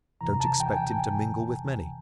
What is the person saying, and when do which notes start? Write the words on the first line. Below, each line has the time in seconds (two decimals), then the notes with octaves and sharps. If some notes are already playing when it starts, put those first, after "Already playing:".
Don't expect him to mingle with many.
0.21 E2 C3 E3 A#5
0.40 A5
0.60 G5
0.68 G#5
0.77 G5